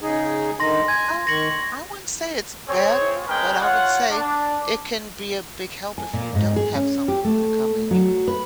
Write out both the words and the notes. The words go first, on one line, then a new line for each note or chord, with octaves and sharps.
Well, I wouldn't say it's better, but I would say it can be a big help if you don't have someone who can come in. You
C#3 D#4 G#4
D3 D#3 D#4 C6 A#6
G#5 G#6
D#3 C#6 A#6 F#7
C4 G#4 C#5
G#3 C#4 A#4 B4 G5
F4 C#5 F#5
D4
G#5
A#2
G#2
G#4
C#4
G4
A3
F#3
B4